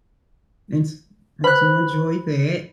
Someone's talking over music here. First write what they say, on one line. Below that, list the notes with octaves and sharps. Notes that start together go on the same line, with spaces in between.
and s I do enjoy that.
B4 C5 B5 F#6